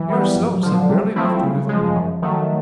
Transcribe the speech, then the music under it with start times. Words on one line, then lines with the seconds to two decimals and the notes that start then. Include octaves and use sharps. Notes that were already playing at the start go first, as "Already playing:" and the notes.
We ourselves have barely enough to live upon.
Already playing: E3 F#3
0.10 G3 B3
0.36 G2 F3
0.54 F#3
0.63 D3 F3
0.72 F#3
0.89 C3 G3
1.07 G3
1.16 F3 A3 C4 E4
1.24 F#3
1.43 C#3
1.69 F3 G#3
1.95 F#2 F3
2.22 D#3 F#3 A3